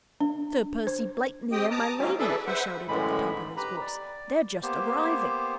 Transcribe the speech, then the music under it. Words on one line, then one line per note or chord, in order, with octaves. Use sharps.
"Sir Percy Blakeney and my lady," he shouted at the top of his voice, "they're just arriving."
D4
C5
C4 G4 D#5 G5 D#6
A5 A#5 D6 D#6
D#3 F#3 G#3 A#3 C4 C#4
E3 G#4 A4 B4 D5 E5
B4 C5 E5 F#5
F#2 A2 D3 E3 G#3 B5
G#2
G4 B4 A#5 B5
D5
A#3 B3 G4 C5